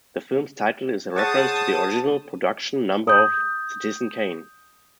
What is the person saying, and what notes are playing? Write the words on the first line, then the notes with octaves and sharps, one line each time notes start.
The film's title is a reference to the original production number of "Citizen Kane".
G#4 C5 C#5 F#5 A5 C#6 D#6 A6
D#6 G6